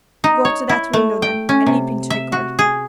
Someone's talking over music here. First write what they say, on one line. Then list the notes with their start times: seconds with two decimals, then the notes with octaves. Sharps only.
Go to that window, then, and leap into the court.'
0.24 D#4
0.45 C#5
0.69 E4
0.93 A3
1.22 G5
1.49 C#4
1.66 C3
2.10 E5
2.32 F#4
2.59 G#4